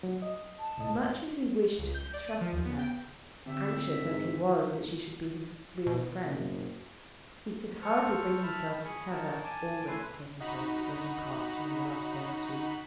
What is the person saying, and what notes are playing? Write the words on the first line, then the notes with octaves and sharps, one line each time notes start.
Much as he wished to trust her, anxious as he was that she should be his real friend he could hardly bring himself to tell her all that had taken place at Rudham Park during the last day or two.
F#3
D#5
A5
C2 A2 D#5
C#2
G6
D5
D#7
F3
D#2
B3
G5
D3 C4 G4 E5 G6
G#2 E6
B2
F#1
A4 C5 C#6 F6
E5 A5 B5 F6
G#4 G#5 B5 C#6
D#4 A#4 C#5 A5
G#5 A5 D6
A3 E4 B4 G#5 C6
D#4 F#4 B5